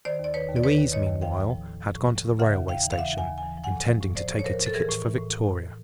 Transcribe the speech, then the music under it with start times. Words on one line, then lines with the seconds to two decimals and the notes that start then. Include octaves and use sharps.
Louise, meanwhile, had gone to the railway station, intending to take a ticket for Victoria.
0.05 D#3 C5 D5
0.19 D#2
0.24 D5
0.34 D#3 B4 C#5
0.49 D#2
0.56 D5
0.64 D#3 B4 C#5
0.78 D#2
0.92 D#3 C#5 D#5
1.07 D#2
1.21 F3 F5 G5
1.37 A2
1.51 F3
1.66 A2
1.81 F3
1.96 A2
2.11 F3
2.25 A2
2.39 C#3 E5 F#5
2.54 D#2
2.68 D#2 F5 G5
2.84 E3
2.92 F5
2.98 C#3 E5 F#5
3.12 D#2
3.18 F#5 G#5
3.27 D#2
3.38 G#5
3.43 E3
3.57 F3
3.64 F#5 G#5
3.71 A2
3.86 F3
4.01 A2
4.15 F3 C5 D5
4.31 A2
4.39 C#5
4.44 F3 A#4 C5
4.59 A2
4.66 A4
4.74 E3 G#4 A#4
4.89 A2
5.04 E3
5.18 A2